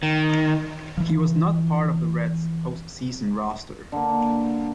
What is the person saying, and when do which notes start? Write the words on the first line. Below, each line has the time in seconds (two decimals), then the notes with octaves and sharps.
He was not part of the Reds' post-season roster.
0.03 D#3
0.97 E3 F3
3.92 D3 A#3